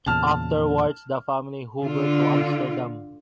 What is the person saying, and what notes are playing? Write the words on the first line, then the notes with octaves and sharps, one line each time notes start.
Afterwards the family Huber to Amsterdam.
E2 A#2 C#3 A5 F6
D3 F4